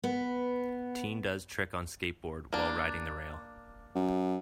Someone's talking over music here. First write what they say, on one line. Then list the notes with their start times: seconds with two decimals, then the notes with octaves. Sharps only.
Teen does trick on skateboard while riding the rail.
0.04 B3
2.53 A#3 D4
3.96 F#2